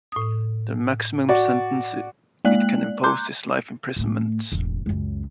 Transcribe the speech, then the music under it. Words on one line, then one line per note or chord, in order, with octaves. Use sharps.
The maximum sentence it can impose is life imprisonment.
A2 D#6
F#4 D5
G#3 A#3 D5 F#6 F#7
A#5 C6 D6 F#6 G6
A2 A3
E1 A1
C#2 F#2